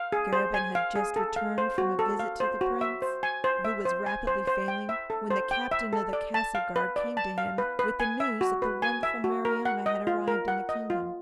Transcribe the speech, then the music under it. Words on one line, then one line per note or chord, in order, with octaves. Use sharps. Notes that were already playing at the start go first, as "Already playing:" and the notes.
Garabin had just returned from a visit to the Prince, who was rapidly failing, when the Captain of the Castle Guard came to him with the news that the wonderful Marianna had arrived in the kingdom.
Already playing: F5
G#4
C5
G#5
F5
G#4
A4
F5
C5
F#4
A4
F5
C5
F#4
E5
C5
G#5
C5
E5
C5
G#5
C5
C5
G5
E5
A4
C5
G5
E5
A4
D5
A5
F5
B4
D5
A5
F5
B4
B4
G#5
E5
F#4
B4
G#5
E5
F#4
A#4
F#5
D#5
F4
A#4
F#5
D#5
F4